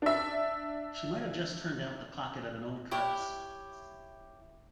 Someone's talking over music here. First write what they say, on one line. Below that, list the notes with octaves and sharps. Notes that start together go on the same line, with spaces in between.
She might have just turned out the pocket of an old dress.
D4 E5
E4 G4 C#5